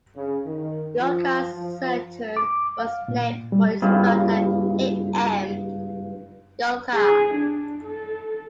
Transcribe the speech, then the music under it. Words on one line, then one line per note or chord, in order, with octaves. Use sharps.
Lyulka-Saturn was named for its founder, A. M. Lyulka.
C#3
D#3
F3
F3
D6
F5
A#2
G3
C#2 G2
G#4
D4
A4